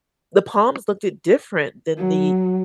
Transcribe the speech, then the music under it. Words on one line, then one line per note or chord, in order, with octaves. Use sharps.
the palms looked it different than the
F#3